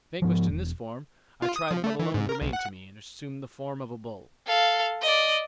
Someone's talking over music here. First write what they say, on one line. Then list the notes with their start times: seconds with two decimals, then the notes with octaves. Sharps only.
Vanquished in this form, I tried what alone remained to me and assumed the form of a bull.
0.22 G#2 F3
0.48 E1
1.42 F4
1.56 D#6
1.71 F3
1.84 A3
1.99 E3
2.14 G#2
2.29 A#4
2.41 B1
2.53 F#5
4.47 A4 F5
5.02 D5 D#5